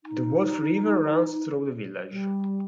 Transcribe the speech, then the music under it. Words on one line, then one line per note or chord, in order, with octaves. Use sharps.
The Wolf River runs through the village.
D#4
G3